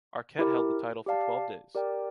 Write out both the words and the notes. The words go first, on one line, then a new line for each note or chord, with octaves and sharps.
Arquette held the title for twelve days.
E4 G4 A#4
G4 D5 F5 A5
G4 A#4 D5 G5